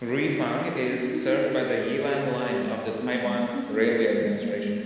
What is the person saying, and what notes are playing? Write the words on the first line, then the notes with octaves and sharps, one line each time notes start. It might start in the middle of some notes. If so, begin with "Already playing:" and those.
Ruifang is served by the Yilan Line of the Taiwan Railway Administration.
C#4
B3
D#4
E4
D#4
G4
G#4
G#4
G4
G4
B3
A#3
G#3
A#3
C#4
A#3
A#3
G#3